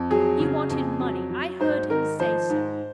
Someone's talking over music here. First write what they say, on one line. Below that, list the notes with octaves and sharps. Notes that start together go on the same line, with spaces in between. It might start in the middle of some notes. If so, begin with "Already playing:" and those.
He wanted money; I heard him say so.
Already playing: F2
F#3 G#4
C#3
F2
F#3
F#3
G#2 C5
D#3 A#4
F3 C5
G#2